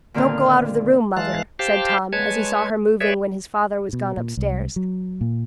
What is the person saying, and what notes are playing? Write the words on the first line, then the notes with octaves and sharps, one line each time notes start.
"Don't go out of the room, mother," said Tom, as he saw her moving when his father was gone upstairs.
A#2 D3 D#3 C4 F5
E3 G#3 F5 A5 F#6 A6
G4 C5 F5 G5 A5
G#3 B4 C#5 A5 G#6
G#4 B4 C#5 D5 E5
B2
A#2
C2
F#3
A#2